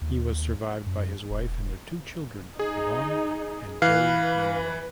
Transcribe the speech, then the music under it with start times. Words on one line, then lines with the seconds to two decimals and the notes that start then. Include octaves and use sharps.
He was survived by his wife and their two children, Yvonne and Gary Manuel.
0.01 D#2
0.86 F#2
1.30 E1
2.59 D#4 G#4
3.82 E3 B4 F5 F#6